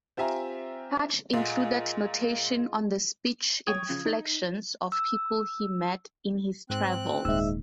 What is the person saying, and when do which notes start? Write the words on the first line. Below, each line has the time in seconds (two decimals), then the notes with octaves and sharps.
Partch included notation on the speech inflections of people he met in his travels.
0.17 C4 F4 G4 E5 G#5 A#5
1.33 A#2 G#3 F4 D#5 E5 F#5
3.67 C#5 G5 C#6 D#6 G#6
3.89 C#3 F3
4.05 D#4
4.92 E6
6.70 G#2 C4 F#6
7.25 D#1 G#2 G#3 E5 E6